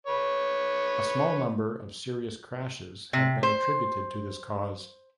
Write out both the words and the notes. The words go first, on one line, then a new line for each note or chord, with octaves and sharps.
A small number of serious crashes have been attributed to this cause.
B4 C#5
C3
C5